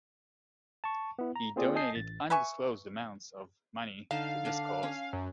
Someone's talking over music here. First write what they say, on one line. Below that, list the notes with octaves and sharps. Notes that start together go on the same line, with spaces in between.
He donated undisclosed amounts of money to this cause.
A5 C#6
B3 E4
A#5
A#3 C4 F4 G#4 D5
D#5 G#5 A5 D#6 G6 C7
A1 A6
B4 E5 G#5 C#6
D3 D#4 F5 A5
D3 D4
C#4
F#2